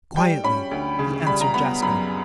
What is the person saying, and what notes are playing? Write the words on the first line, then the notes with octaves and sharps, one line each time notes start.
Quietly be answered Jaska.
G3 G5
C#4 B5
D2
C#3
G3 B5
A#5
B3 B5
F#2 B5